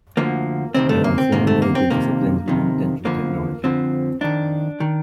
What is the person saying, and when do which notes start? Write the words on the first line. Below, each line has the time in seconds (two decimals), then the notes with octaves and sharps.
There are four major disciplines within dental technology.
0.17 D2 D3 F3 A#3
0.74 D2 C3 D#3 C4
0.89 A3
1.04 A#3
1.18 C4
1.32 D2 C3 D#3 A#3
1.47 A3
1.62 A#3
1.75 C4
1.90 F2 C3 D#3 A#3
2.48 F2 C3 D#3
3.05 F2 D3 F3 A#3
3.64 F2 D3 F3 C4
4.21 F2 D#3 D4
4.80 D#3